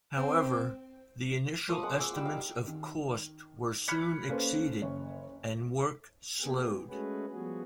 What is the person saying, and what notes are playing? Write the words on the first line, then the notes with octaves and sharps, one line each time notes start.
However, the initial estimates of cost were soon exceeded, and work slowed.
C4
F3 A#3 C#6 D#6
G#3 F#5 D6
G#4 D6 E6
G3 G5
D#4 F5
D#3
B5 F6 F#6 G#6 B6 C#7
A#3 C#4 A4 B4 C5
F#1 C#5
A#3 B3 G4 G#4
G#3 A3 C#4 F#4 G#4 B4
F3 G3 B3 F#4 G#4